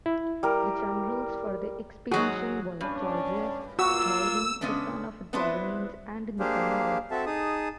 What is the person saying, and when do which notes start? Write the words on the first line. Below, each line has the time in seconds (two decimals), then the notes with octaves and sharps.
The generals for the expedition were Gorgias, Ptolemy the son of Dorymenes, and Nicanor.
0.06 E4
0.43 G3 A#4
2.12 G#2 F#3 F#4 G#4
2.81 G2 C#4 D4
3.79 A#3 F4 F#4 E6
4.61 C#3 G#3 B3 C#4 D4
5.33 B3 C4 D4 E4 B4 C5
6.40 A#3 D4 G4 G#4 C5 F5
7.11 C4 F#4 A4 E5 A5
7.26 D#4 G#4 A5 D#6